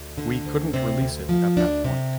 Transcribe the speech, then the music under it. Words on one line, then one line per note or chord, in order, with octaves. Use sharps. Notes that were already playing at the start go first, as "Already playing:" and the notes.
We couldn’t release it at that point.
Already playing: D2
D3
D2
C3 C4
D2
F3
D2 D4
C3